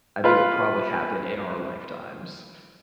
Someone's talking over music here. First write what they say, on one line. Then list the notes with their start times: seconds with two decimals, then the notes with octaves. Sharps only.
I think it would probably happen in our lifetimes.
0.24 F4 B4